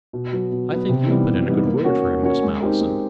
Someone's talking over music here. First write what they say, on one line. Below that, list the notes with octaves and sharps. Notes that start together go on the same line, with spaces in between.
"I think you put in a good word for him, Miss Malleson."
B2
F#3 B3
B2
F#3 B3
C3
E3 G3 B3 D#4
C3
E3 G3 B3 D#4
A#3
C#4 F#4 A#4 C#5
A#3
C#4 F#4 A#4 C#5
G#3
C4 D#4 G4 A#4
G#3